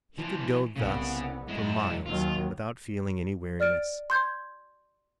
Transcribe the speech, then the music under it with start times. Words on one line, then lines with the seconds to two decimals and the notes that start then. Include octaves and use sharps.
He could go thus for miles without feeling any weariness.
0.18 E3 F3
0.76 C2 C#3 B3
1.48 F#2 G#3 E4
2.06 D#2 D#3 F#3 F4
3.60 D5 F6 A6 D7
4.10 C6 G6 G#6